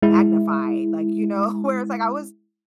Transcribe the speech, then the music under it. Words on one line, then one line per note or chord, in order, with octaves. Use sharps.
magnified, like, you know, where it's like I was
G#3 E4